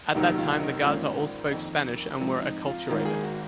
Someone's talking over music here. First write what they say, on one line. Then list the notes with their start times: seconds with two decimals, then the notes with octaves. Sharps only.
At that time, the Garza all spoke Spanish and were acculturated.
0.15 F1 D#2 D#3 F#3 D#4
0.38 F4
0.60 D#4
0.83 A#1 G#2 D#3 A#3 C#4 F4
1.51 F2 D#3 A#3
2.21 G#2 F3 C4
2.43 D#4
2.66 F4
2.89 G#1 G#2 D#3 A#3 F4
3.05 G#4
3.23 F#4